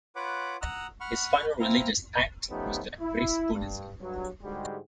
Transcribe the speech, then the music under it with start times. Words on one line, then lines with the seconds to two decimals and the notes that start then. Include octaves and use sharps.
His final religious act was to embrace Buddhism.
0.16 F4 B4 C#5 F#5 B5 D6
0.61 F#5 A#5 D#6 E6 F#6
1.01 F#5 B5 C#6 F6
1.60 C4 E4 F5 A#5
2.50 F3 A3 B3 C#4 D#4 G4
3.01 E4
3.53 G2
4.00 G2 F#3
4.43 G#2 D3 G3 G#3 F#4 G4